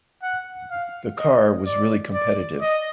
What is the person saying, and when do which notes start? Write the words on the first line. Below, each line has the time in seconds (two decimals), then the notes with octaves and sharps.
The car was really competitive.
0.23 F#5
0.71 F5
1.18 D#5
1.66 D5
2.14 D5
2.61 D#5